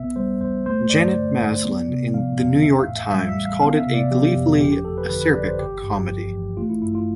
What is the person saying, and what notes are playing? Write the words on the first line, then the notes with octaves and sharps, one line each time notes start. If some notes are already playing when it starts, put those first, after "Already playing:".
Janet Maslin in "The New York Times" called it a "gleefully acerbic comedy".
Already playing: B1 B2 B3 E5
G3 C5
E2 C5
A3 C5
G2 D5
D3
A1
B3
C3
F3 F5
F2 F5
A1 E5
F5
A2
E5
G3 E5
E5
A1
F5
B3 F5
E5
C3
D5
F3 G4
F2
G1 G4
G4
F2 A4
B4
D3 B4
B4
G1 D5
C5
A1 G4
G2
F3
A1
A3 F4
E4
G2 E4
F4